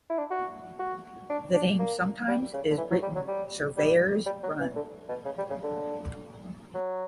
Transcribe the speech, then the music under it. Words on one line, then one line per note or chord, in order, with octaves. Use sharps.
The name sometimes is written "Surveyors Run".
E4
D4
F#4
F#4
D4
D4
A#3
G3
C#3
D3
E3
F#3
G3
F#3
G3
G3
G3
F#3
E3
D3
B2
C#3
G3
C#3
D3
F#3